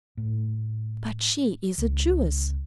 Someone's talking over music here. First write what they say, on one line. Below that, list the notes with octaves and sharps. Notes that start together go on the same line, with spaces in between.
"But she is a Jewess!"
A2
C#2